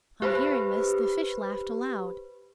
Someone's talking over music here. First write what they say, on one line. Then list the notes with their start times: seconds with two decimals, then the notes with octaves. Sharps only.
On hearing this the fish laughed aloud.
0.22 G4 B4 C5 B5